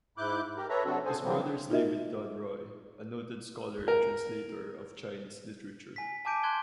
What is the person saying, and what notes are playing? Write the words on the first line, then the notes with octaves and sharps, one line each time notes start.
His brother is David Tod Roy, a noted scholar and translator of Chinese literature.
G#2 E4 D6 F#6 G6
G4 A#4
A4 B4 C#5 E5 A#5
C3 F#3 C4 D4 F#4 A4
G#4 A4 C5 G#5
D3 E3 F#3 G3 A#3 C4
D#4 F4 F#4 A#4 D#5 E5
A#4
G#5 B6
G#5 A5 D6 G6 D7 D#7
A5 C6 F#6 G#6 G7